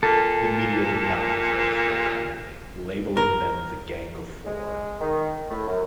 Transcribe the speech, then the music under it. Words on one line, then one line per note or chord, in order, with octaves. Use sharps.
The media did not portray the spill kindly, labelling them the 'Gang of Four'.
A#2 A4
A#4
G#3
D#3
A2
F#2